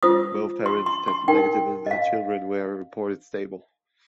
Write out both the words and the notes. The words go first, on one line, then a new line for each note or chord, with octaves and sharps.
Both parents tested negative and the children were reported stable.
F4 C5 D#6
C6
C6
C6
D#4 A#4 G5
D#5
F5